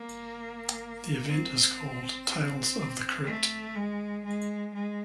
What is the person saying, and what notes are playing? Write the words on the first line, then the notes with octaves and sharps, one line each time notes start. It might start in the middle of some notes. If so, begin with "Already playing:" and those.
The event is called "Tales of the Crypt".
Already playing: A#3
C4
C4
A3
G#3
G#3
G#3